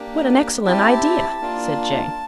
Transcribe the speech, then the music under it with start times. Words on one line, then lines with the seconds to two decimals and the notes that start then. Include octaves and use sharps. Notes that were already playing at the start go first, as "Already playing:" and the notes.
"What an excellent idea!" said Jane.
Already playing: A#3 D4 G4
0.65 C4 E4 G4 A5
1.41 A#3 D4 F4